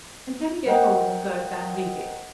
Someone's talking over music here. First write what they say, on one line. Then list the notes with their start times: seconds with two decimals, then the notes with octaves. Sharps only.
And can you get hold of Gerd van Riebeek?
0.66 A#4 C5 D#5 F#5 G5